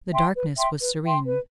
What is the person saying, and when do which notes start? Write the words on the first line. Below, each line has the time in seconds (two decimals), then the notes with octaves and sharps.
The darkness was serene.
0.13 E5 G5 C6
0.35 B4
0.58 E5 G5 C6
0.81 B4
1.04 E5 G5 C6
1.27 B4